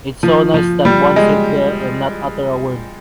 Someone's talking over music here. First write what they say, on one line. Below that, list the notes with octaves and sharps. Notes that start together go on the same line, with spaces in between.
It’s so nice that one sit there and not utter a word.
F3
F3
G3
G#3